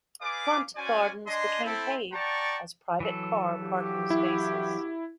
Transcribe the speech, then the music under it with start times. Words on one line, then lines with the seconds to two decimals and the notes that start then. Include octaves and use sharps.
Front gardens became paved as private car parking spaces.
0.22 G#4 B4 D5 F5 D6
0.76 C#4 F#4 C5 D5 G#5
1.27 D4 D#5 G#5 C6
1.64 C4 E4 A4
2.12 D5 F#5 G5 A5 A#5 C#6
3.00 E3 F#3 A4
3.60 G2 F#4 G4
4.10 E4